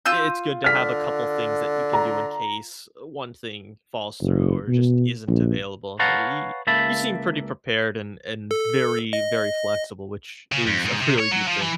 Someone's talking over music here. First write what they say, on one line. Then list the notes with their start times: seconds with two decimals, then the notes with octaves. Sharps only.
it's good to have a couple things that you can do in case, uh, one thing falls through or just isn't available. Y you seem pretty prepared and and very, very flexible, which is a really good thing.
0.05 F4 E6 G6
0.64 D3 F6 B6
1.93 A#5
4.21 F#1
4.68 B2
5.27 A#1
5.99 B4 C#5 F5 F#5 A5 A#5
6.67 C#2 A#3 E5 A5 B5
8.51 A4
9.13 D#5
10.52 C#3
10.67 F2
10.85 G#2
11.00 C3
11.20 C#5
11.32 F#3
11.47 F3
11.62 E3